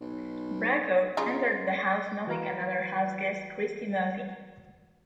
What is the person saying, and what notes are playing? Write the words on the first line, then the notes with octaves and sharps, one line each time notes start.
Bracco entered the house knowing another houseguest Christie Murphy.
B1
C#3 D#4 F4
E3 F#4 B4 F5 A#5